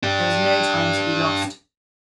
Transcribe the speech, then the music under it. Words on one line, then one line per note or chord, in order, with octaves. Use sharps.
There was no time to be lost.
D4 G4